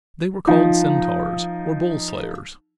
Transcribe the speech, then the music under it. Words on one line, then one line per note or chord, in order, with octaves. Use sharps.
They were called Centaurs, or Bull-Slayers.
F3 D#4